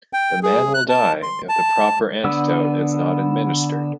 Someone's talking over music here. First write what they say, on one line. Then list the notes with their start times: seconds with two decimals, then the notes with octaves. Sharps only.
The man will die if the proper antidote is not administered.
0.13 G5
0.43 G#4
0.74 F#6
0.89 A5
1.23 C6
1.49 A5
2.24 D3 B3 E6